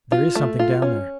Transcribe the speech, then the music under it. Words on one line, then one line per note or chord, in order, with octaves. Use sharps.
"There is something down there."
F4
A3
F4
C#4